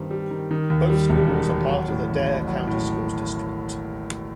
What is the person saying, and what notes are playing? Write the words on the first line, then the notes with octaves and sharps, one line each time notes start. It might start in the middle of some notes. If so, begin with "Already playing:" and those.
Both schools are part of the Dare County Schools district.
Already playing: G2 D#3 G3 C4
G3
D#3
D#3
D#2
G3
E1
D#3
D#2
F#3
A2
A1
A1
F#3
A2